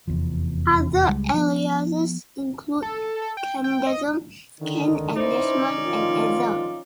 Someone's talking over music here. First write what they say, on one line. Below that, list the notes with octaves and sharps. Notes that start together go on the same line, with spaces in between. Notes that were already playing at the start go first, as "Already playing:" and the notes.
Other aliases include Kendesm, Ken and Desmond, and Ether.
F1 E2 F3
C#2 G3 G#3
F3 B3
A4
A4
G5
G5
D#5
D3 D#3
C#4 D#4 E4 B4 C5 D5
D#3 F3 F4